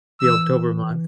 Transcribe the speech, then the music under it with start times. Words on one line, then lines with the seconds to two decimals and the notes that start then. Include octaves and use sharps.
the October month,
0.20 E3 E6